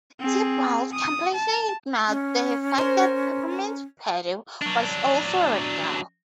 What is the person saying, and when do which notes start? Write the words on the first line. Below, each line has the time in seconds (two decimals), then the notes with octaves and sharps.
Thibault completely ignored the fact that Peppermint Patty was also a girl.
0.20 C4 G#4
0.92 D#6
1.34 A5
2.08 C#4
2.78 A#4 C5
4.62 F#3 D4